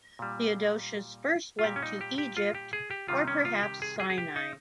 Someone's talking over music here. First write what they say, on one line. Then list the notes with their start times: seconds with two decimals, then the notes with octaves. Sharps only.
Theodosius first went to Egypt or perhaps Sinai.
0.19 A#2 G3
1.59 F4
1.64 A#2 G3 G4
1.76 C#4
1.82 D#4
2.01 G4
2.18 G4
2.37 F4
2.55 G4
2.73 G#4
2.91 G4
3.08 C3 D#3 G3 F4
3.28 C#4
3.45 F4
3.63 G4
3.82 G#4
4.00 G#4
4.10 G#4
4.18 G4
4.36 D#4